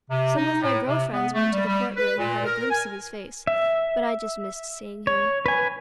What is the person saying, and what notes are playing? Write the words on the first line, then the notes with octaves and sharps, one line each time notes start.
Some of my girl friends went to the court-room and had a glimpse of his face, but I just missed seeing him.
C3
D#4
A2
C3
B3
A3
G3
G3
B4
A#2
A#4
G#5
E5
C#5
B4 G#5